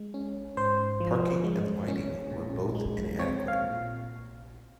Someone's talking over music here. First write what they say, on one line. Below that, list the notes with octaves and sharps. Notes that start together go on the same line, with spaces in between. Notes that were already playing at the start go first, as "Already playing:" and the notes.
Parking and lighting were both inadequate.
Already playing: G#3
C#4
G#2 C5
F3
G#3
C#4
A#2
G#3
C4 C#5
F5
A#2